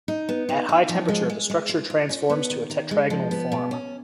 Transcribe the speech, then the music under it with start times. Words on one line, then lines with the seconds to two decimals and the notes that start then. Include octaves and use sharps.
At high temperature the structure transforms to a tetragonal form.
0.08 D#4
0.29 B3
0.49 D#4
0.69 D#4
0.89 F3
1.08 G#3
1.30 G#3
1.50 G#3
1.69 F4
1.90 F4
2.09 C#4
2.30 B3
2.50 D#3
2.70 D#3
2.91 G#3
3.10 F3
3.31 B3
3.52 B2
3.71 C#4